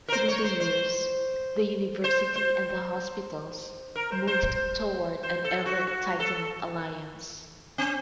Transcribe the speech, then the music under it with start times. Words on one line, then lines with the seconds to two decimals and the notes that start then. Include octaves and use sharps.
Through the years, the University and the hospitals moved toward an ever-tightening alliance.
0.08 A#4
0.12 C5
0.28 C#5
0.44 C5
0.60 C5
2.04 C5
2.36 C5
3.96 A#4
4.12 C5
4.27 C5
4.44 C5
5.23 C5
5.45 A4
5.66 F#4
5.87 F#4
6.20 A4
7.78 C4